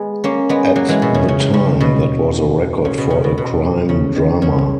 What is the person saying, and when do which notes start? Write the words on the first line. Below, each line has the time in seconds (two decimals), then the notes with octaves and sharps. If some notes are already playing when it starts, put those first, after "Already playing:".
At the time that was a record for a crime drama.
Already playing: G#3 B3
0.24 A#3 C#4
0.49 G#3 B3
0.76 F#3 A#3
0.88 E3 G#3
1.02 B2
1.14 C#3
1.28 C#3
1.54 C#3
1.80 B2
2.85 C#3
2.98 B2
3.10 C#3
3.24 B2
3.38 B2
3.89 C#3
4.15 D#3
4.42 C#3